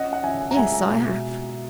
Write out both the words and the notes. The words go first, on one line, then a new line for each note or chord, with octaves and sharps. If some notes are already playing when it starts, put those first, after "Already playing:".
"Yes, I have."
Already playing: C#4 D#5 F#5
F#5
C#4 E5 G#5
A#5
G#3 E5 G#5
B2